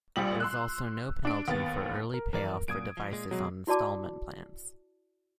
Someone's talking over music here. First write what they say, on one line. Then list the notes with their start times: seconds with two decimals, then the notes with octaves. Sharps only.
There is also no penalty for early payoff for devices on installment plans.
0.16 A#1 F3 G3 F#7
0.40 C6 E6 F#6
1.25 D4 D7
1.48 D#2 B3 A6
2.14 A#4
2.33 F2 E3 A#4 D5
2.68 F#2 A#2 D#6 G#6 D7
2.97 F3
3.12 A#2 G#3
3.31 B2 F#3 G#3
3.67 E4 F#4 D5 A5 D6